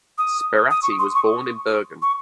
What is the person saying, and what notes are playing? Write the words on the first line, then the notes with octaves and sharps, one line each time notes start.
Sperati was born in Bergen.
D#6
D#6
C#6
C6
C#6
C#6